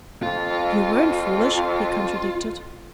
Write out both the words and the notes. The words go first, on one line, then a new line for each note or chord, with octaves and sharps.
"You weren't foolish!" he contradicted.
F2 F4